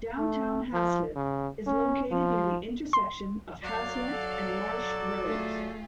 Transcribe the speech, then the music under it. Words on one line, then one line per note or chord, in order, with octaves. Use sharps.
Downtown Haslett is located near the intersection of Haslett and Marsh roads.
A3
F3
C#3
C#4
F3
C6
F#3 D5 F5
A4
A3 F4 G#4